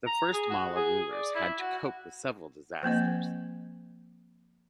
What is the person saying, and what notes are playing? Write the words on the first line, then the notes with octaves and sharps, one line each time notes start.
The first Malla rulers had to cope with several disasters.
A#5
G#4
F#4
G#4
D5
E4
F#4
F3 A#3 C4 D#5